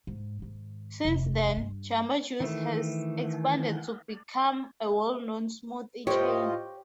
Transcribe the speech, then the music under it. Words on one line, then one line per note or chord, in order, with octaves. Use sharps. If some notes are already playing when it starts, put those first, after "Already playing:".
Since then, Jamba Juice has expanded to become a well known smoothie chain.
G#2
G#2 D#3
F1 D#2
G2
D#3 E3 A3
A2 F4 G4 C5 C#5 D#5